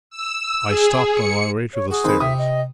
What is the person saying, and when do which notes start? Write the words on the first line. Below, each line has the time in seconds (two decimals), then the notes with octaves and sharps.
I stopped on my way to the stairs.
0.10 E6
0.66 G#4
1.14 C#7
1.74 C#5
1.91 F#4 G#4
2.04 D#3 C4 B4 B5
2.20 C3 E5 D#6
2.38 D#5